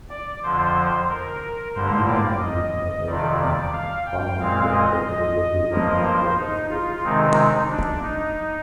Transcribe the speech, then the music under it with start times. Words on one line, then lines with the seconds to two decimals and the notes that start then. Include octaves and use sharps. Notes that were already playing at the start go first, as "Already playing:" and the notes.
Many alumni served in prominent political and legal positions throughout the school's history.
0.10 D5
0.43 F2 D3 F3 C5
1.09 A#4
1.75 G2 D3 G3 A#3 C5
2.08 D5
2.40 D#5
3.06 F2 C3 D#3 G3 D5
3.41 D5
3.73 F5
4.06 G5
4.39 A#2 G#3 C4 F5
4.72 D#5
5.05 D#5
5.71 G2 F3 A#3 D#5
6.04 C5
6.37 D#4
6.70 F4
7.03 C3 D#3 G#3 C4 D#4
7.69 D4
8.02 D#4